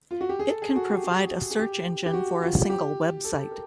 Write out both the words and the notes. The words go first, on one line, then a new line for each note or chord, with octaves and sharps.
It can provide a search engine for a single website.
F4
F#4
G4
G#4
A4
G#4
F#4
G4
F#4
G#4
G4
G4
F#4
F4
G4
A4
A#4